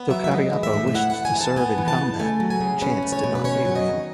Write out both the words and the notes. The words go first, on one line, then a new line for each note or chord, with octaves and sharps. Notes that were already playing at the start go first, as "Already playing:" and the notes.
Though Cariappa wished to serve in combat, chance did not favour him.
Already playing: B3
F#3 E5
E5
G#3 D#5
E3
E5
A2
E5
E4 F#5
F#5
A3
G#5
E3 A5
B3 G#5
E3
A5
C#3
A3 G#5
F#3
G#5
C#3
C#4 B4
A3
C#5
B2
B4
C#4 C#5
F#3
D#5
D#3